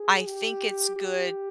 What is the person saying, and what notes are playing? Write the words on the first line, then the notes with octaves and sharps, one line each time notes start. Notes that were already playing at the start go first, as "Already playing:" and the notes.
I think it's good
Already playing: G#4
G4
G4